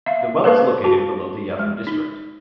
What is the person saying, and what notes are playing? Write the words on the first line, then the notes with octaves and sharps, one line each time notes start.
The well is located below the Yaren district.
E5 F5
A4 B4 C5 F5 A5
F#4 A5
G#3
D#4